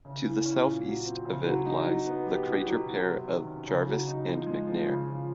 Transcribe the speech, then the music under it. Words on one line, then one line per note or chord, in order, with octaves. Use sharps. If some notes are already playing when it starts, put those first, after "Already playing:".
To the southeast of it lies the crater pair of Jarvis and McNair.
C#3
E3
C#4
A#2
F#3
C4
C#3
F#3
D#4
F#3
B3
G4
B2
F#3
B2
C3
D#3
C#4
C#3
F#3
D#4
F3
G#3
F3
C#3
F3